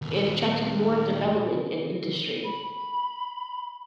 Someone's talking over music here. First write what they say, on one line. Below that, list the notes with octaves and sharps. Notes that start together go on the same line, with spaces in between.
It attracted more development and industry.
D#2 A#2
B5